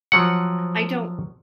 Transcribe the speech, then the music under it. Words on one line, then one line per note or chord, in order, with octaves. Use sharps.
I don't
F3 F#3 F#5